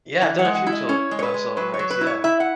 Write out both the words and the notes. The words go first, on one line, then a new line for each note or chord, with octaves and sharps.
Yeah, I've done a few tol uh, solo hikes, yeah.
E3 E5
F#5
G#3
F#5
E4
D#5
C#4 C#5
G#3
C#5
B4
G#3
F#3 B4
C#5
F#3
B4
E4
C#5
E4 E5
F#5